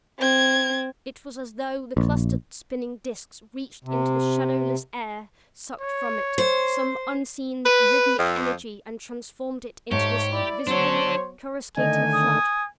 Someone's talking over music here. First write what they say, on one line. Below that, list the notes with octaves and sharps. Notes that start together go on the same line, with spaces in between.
It was as though the clustered, spinning disks reached into the shadowless air, sucked from it some unseen, rhythmic energy and transformed it into this visible, coruscating flood.
C4 G#6
A#1
C3
C#5
C5
B4
F2
G#2 A3 G4 C#5
E4 D5
F#3 B3 D4 A4 C5 C#5
D3 D#3 A3 D#5 G#5
D#6